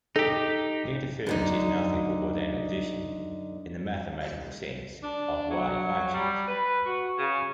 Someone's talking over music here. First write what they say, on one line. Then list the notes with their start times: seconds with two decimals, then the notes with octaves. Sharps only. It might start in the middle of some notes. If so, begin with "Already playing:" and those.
Interference is nothing more than the addition, in the mathematical sense, of wave functions.
0.16 D#4 G4 A4
1.27 F#2 D3 D#4
5.04 D4
5.51 F#3
6.14 G3
6.48 B4
6.86 F#4
7.19 C#3